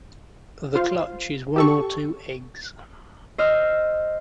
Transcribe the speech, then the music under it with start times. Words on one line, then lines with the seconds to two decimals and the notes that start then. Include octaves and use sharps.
The clutch is one or two eggs.
0.75 F4 C5 F5
1.56 G4 A4 C#6
3.38 C5 D#5 E6 F6